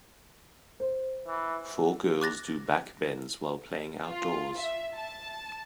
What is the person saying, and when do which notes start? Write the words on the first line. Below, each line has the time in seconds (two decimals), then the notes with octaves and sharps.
Four girls do backbends while playing outdoors.
0.80 C5
1.27 E3
2.21 D6 F#6 A6 A#6
4.06 F4
4.57 E5
4.95 A5